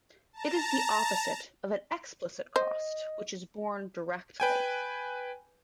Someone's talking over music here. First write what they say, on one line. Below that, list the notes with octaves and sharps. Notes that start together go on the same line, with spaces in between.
It is the opposite of an explicit cost, which is borne directly.
A5 A#5
C5 D#5
B4 G5 G#5